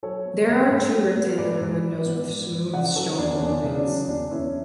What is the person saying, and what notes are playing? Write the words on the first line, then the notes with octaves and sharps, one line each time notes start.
There are two rectangular windows with smooth stone moldings.
F#3 A4 C#5
B3
G#2
G#2
F#3
B3
G#2 B4 D5
G#2
F#3
B3
G#2
G#2
C#3 D5 F#5
F#3 F#4 A4
E2 D4
C#4
E2 D4
C#3
D4
F#3
E2 D4
E2 C#4 E4